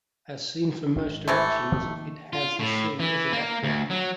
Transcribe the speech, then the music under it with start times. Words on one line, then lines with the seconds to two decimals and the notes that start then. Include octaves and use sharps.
As seen from most directions it has the sea as a backdrop.
0.96 G#1 D#3
1.28 C3 E3 A3
1.72 D#3 F3 A#3
2.33 F4
2.60 A2
3.00 E3
3.33 A#3
3.64 D2
3.91 F#3